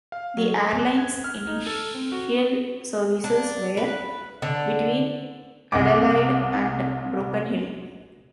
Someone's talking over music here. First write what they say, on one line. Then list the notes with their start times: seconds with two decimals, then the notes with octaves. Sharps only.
The airline's initial services were between Adelaide and Broken Hill.
0.12 F5
0.37 F#3
0.59 D6
0.79 F#6
0.98 G#6
1.24 F6
1.47 D#4
1.67 A4
1.95 C4
2.12 F#4
3.24 D4
3.77 B4
4.42 D3
5.72 C2 F#5 D6